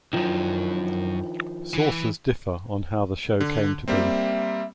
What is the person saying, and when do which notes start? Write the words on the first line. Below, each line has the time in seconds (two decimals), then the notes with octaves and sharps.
Sources differ on how the show came to be.
0.13 B1 F#2 D#3 F3
1.74 E3
3.40 D3
3.88 G3 A#3 C4 E5